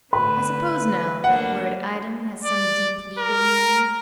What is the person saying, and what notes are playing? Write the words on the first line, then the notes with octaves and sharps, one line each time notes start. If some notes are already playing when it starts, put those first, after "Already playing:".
"I suppose, now, that word 'item' has some deep legal meaning?"
D3 A3 B4 B5
A3 A#3 D4 F#5
D5
A#4